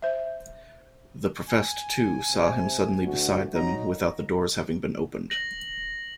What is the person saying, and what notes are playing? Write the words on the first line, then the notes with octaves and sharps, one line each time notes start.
The professed, too, saw him suddenly beside them without the doors having been opened.
C5 E5
G#5
C3
D2 F#4
F#3 D#4 A#5
A#6 F#7